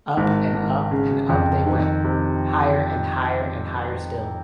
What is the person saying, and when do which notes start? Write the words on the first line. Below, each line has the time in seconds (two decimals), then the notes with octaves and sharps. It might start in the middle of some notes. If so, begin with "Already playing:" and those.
Up and up and up they went — higher and higher and higher still.
0.17 G#1
0.54 G#1
0.91 C#3
1.29 F2
1.66 D#3
2.04 C3